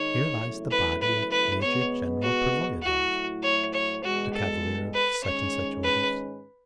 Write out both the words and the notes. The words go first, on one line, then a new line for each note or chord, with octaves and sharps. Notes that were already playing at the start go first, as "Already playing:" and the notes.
"Here lies the body of Major-General Pervoyedov ... a cavalier of such and such orders." Hm!
Already playing: D#3 G#3 D#4 C#5
E2 C#3 F#3 A3 E4
B4
B4
B4
B2 G#3 B3 C#5
F#4
A2 F#3 A3 E4 F#4
C#5
C#5
E2 B2 G#3 F#4
A4
B4
G#2 D#3 G#3 C#4 C#5
B4